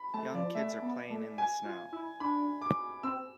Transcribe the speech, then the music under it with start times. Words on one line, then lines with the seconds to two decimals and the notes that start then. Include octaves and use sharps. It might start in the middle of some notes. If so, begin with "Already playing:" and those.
Young kids are playing in the snow.
Already playing: B5
0.14 A3 A5
0.34 F3 D5
0.55 A3 E5
0.82 B3
1.10 A3
1.38 G#5
1.65 F4
1.92 E4
2.20 D4 B5
2.62 D6
3.03 C4 E6